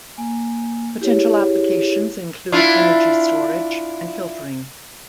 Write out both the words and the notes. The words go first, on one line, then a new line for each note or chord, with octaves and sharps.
Potential applications include energy storage and filtering.
A#3 G#5
E4 G4 G#4 C#5
D4 E4 F4